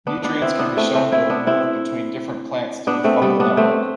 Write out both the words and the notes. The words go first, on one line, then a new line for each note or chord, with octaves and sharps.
Nutrients can be shown to move between different plants through the fungal network.
B3 D4
B3 D4
C4 E4
B3 D4
A3 C4
A3 C4
C4 E4
B3 D4
C4 E4
B3 D4
A3 C4
G3 B3
B3 D4
A3 C4